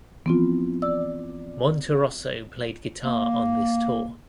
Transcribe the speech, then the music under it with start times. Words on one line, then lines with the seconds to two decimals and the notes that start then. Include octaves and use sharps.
Monterosso played guitar on this tour.
0.26 E3 F3 B3 C4 F4
0.82 D5 E6
3.04 A#3